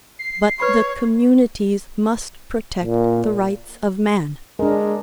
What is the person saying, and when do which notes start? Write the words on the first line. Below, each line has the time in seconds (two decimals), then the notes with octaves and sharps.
But the communities must protect the rights of man.
0.19 C7
0.60 B4 C#5 B5
2.84 A#2
4.59 G#3 D4 A#4